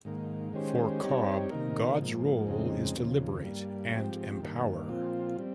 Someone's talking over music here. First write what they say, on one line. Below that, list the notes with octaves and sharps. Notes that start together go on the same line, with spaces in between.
For Cobb, God's role is to liberate and empower.
G#2 D#3 A#3
D#3 G#3 C#4 G4 C5
G3 C4 D#4 G4 C#5
C3 D#3 A#3 D#4 A#4
G#2 F3 A#3
F2 C#3 G#3 C4 D#4
D#2 C#3 F3
G2 G3 A#3
G#2 F3 C4 G4
G2 D#3 A#3
A#2 F3 C4 F4
G3 C4